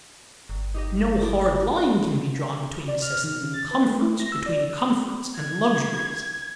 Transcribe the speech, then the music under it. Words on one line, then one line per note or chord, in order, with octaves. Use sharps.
No hard line can be drawn between necessities and comforts, between comforts and luxuries.
G1
D#4 G4 D#5
A2 D5
D5
F6
D#3
C#3
A6
B4
A3
E4
A#6
E6
D5
G#6